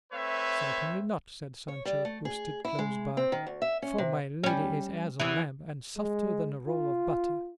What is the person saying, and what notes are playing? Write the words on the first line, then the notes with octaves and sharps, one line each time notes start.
"Certainly not," said Sancho, who stood close by, "for my lady is as a lamb, and softer than a roll of butter."
A3 C4 B4 C#5 E5
C#5
G3
A3
G#4
E4
G#3
C4
D#3
D2
E5
C#4
C3
G3 C#4
E2 E3
G#3
F4